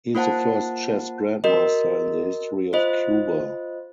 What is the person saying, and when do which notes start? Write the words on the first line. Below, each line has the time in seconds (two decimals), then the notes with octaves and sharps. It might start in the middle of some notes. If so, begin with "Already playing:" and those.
He is the first chess grandmaster in the history of Cuba.
0.15 A#3 F4 C5 F#5 A5
1.44 F#4 A#4 D#5
2.73 F4 C5 D#5